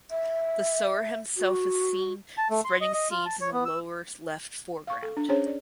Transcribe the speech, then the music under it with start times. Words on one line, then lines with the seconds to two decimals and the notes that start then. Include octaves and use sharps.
The sower himself is seen spreading seeds in the lower left foreground.
0.11 E5
1.37 F#4
2.38 A5
2.50 A3
2.65 C6
2.81 D#5
2.94 D#5
3.11 F4
3.25 A5
3.41 C#5
3.53 B3
3.65 E6
4.87 F5 C#6
5.03 A4
5.17 D4
5.29 C#4 D4 G#4 C5 C#5
5.46 D5